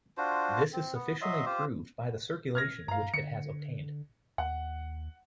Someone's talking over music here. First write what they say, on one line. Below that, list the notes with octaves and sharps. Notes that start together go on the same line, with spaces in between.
This is sufficiently proved by the circulation which it has obtained.
D4 F4 F#4 C5
C4
B3
F#3 D#5 E5 C6
F4 G4 C5
F6 G#6 A#6
G2 F5 A#5
D3 C#7
D#2 F#5